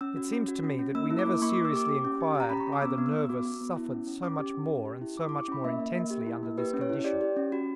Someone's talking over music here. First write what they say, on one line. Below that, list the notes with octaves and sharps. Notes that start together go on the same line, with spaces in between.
It seems to me that we never seriously inquired why the nervous suffered so much more and so much more intensely under this condition.
C#4 E6
F#4
C#4
F#4
C#4
C#4
A#3 E6
E4
D6
A#3
A#3 C#6
D6
A#3
E6
G4 D6
G4
C#4
G4
G4
A#5
C#4 B5
C#6
C#4
D6
B3 E6
B3
E6
B3
F#4 D6
F#4
B3
E4
C#4
C#4
C#4 D6
G4
C#4
G4
G4
E4
G4 D6
D6
E4
C#6
C#4 B5
A#3 E5
A#3
A#3
G4
E4
A#3
G4 B4
C#4
C#5
E4
G4 D5
G4
C#4
F#4